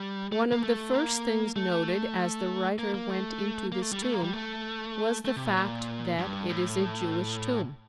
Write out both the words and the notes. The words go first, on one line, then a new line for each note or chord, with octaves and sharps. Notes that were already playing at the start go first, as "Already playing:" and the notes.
One of the first things noted as the writer went into this tomb was the fact that it is a Jewish tomb.
Already playing: G3
A3
A#3
A3
A#3
A3
A#3
A#3
A3
A#3
A3
G3
A3
A#3
G3
A3
A3
C3
A#2
A#2
G2
A2